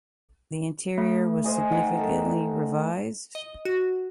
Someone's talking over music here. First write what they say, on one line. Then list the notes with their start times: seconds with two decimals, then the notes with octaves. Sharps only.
The interior was significantly revised.
0.98 A3
1.44 C5 D#5 G#5
1.72 D#4 F#5 G5
1.97 A4 A#4
3.35 D#5
3.65 F#4